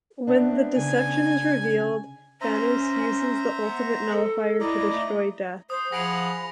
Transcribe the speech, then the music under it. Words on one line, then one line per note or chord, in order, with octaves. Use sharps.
When the deception is revealed, Thanos uses the Ultimate Nullifier to destroy Death.
B3 C4 D4 E5
C#3 G#5
C#4 C5 E5 A#5
B3
A4
E4 D5 D#5 A#5
A3
C5 D#6
F3 G#4 F#5 B5 A#6 D7 F7